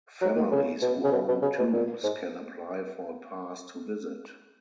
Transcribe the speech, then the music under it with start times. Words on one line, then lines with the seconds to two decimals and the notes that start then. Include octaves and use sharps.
Families who own tombs can apply for a pass to visit.
0.21 F#3
0.36 D#3
0.52 C#3
0.82 B2
1.04 C#3
1.12 B2
1.28 B2
1.42 C#3
1.58 B2
1.73 A#2
2.04 G#2